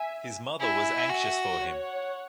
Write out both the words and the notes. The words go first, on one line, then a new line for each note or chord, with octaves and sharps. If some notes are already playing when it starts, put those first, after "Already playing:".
His mother was anxious for him.
Already playing: E5 G#5
E4 E5 G#5
F#4
C#5 F#5